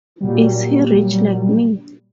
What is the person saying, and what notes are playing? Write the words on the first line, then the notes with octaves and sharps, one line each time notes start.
Is he rich like me?
A#2 F#3 G3